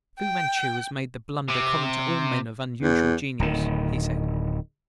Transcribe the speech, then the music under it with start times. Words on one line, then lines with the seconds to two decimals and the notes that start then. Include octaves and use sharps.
"Fu-Manchu has made the blunder common to all men of unusual genius," he said.
0.19 G5
1.50 C3
2.82 E2
3.40 D1 D#3